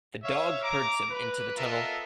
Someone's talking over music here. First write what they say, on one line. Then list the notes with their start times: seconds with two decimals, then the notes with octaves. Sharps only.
The dog herds him into the tunnel.
0.24 C#5 E5 F5
0.63 A#5 D6
1.11 B4
1.56 B3 F4 A4 A#4 D#5 E5